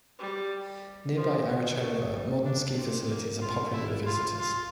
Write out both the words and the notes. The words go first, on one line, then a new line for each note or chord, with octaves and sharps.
Nearby Arachova, modern ski facilities are popular with visitors.
G3
F3
A3
G3
D4
C4
A#3
F4
E4
F4
F4